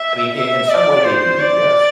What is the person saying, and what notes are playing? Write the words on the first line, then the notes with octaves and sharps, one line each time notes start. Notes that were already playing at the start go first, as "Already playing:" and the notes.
I mean, i in some way they do, yes,
Already playing: E5
E5
D5
C5
D5